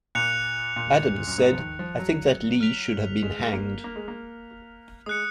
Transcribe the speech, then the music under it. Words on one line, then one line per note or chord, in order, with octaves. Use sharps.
Adams said, I think that Lee should have been hanged.
A#2 F#6 C#7 F7
A#2
F#2
G#2
F3
D#3
F3
F#3
F6 B6 F7
G#3
G#3
A#3
A#3
G#3
A#3
G#3 D#6 F#6 C#7